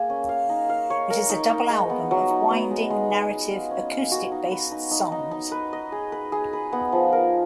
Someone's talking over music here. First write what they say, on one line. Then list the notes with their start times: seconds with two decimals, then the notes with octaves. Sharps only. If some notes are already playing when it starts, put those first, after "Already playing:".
It is a double album of winding, narrative, acoustic-based songs.
Already playing: A#3 G#4
0.10 C#4
0.29 F5
0.49 D#4
0.70 F5
0.90 C#5
1.10 A#4
1.29 D#4
1.50 D#4
1.70 G#3
1.90 B3
2.11 F#3
2.30 D#4
2.51 B3
2.71 G#3
2.90 G#3
3.10 G#3
3.31 G#3
3.51 F5
3.71 C#4
3.91 F5
4.12 F#4
4.32 D#4
4.51 B4
4.72 D#4
4.91 D#4
5.12 D#4
5.31 D#4
5.52 B4
5.73 D#5
5.92 G#4
6.12 B4
6.32 G#4
6.53 B4
6.72 B3
6.92 F3
7.12 A#4